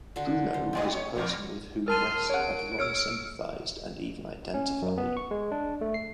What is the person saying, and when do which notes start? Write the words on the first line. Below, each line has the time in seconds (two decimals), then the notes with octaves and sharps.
Bruno was a person with whom West had long sympathised and even identified.
0.16 D3 F#4 C6
0.54 C5
0.73 G#2 G3 A3 B3 D5 D#5
0.91 C#5
1.16 E2 G2 A#3
1.88 A#4 A5 C6 F6 D#7
2.30 C#5 F#5 D7
2.78 C#5 E6 F6 C#7
4.54 C#4
4.82 F#2
4.98 B3
5.17 C#6
5.31 G#3
5.52 D4
5.81 A3
5.94 C7